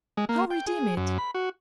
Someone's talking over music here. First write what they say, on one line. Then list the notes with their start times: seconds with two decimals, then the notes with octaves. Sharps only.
How redeem it?'
0.17 G#3
0.29 A#3
0.50 G5
0.67 G#4
0.97 F#2
1.18 B5
1.34 F#4